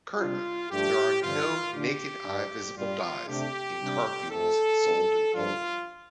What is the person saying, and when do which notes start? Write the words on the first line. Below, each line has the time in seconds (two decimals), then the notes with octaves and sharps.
Currently there are no naked-eye visible dyes in car fuels sold in Poland.
0.18 C3 G3 D4 F4
0.70 G2 F3 A3 D4 G4
1.22 G2 D3 F3 F4
1.73 D3 F3 D4 G4
2.25 G2 G3 D4
2.76 G2 G3 D4 F4
3.28 C3 A3 D4 G4
3.80 C3 G3 D4
4.31 F2 F3 A3 C4 A4
4.83 G2 G3 C4
5.34 G2 F3 D4 F4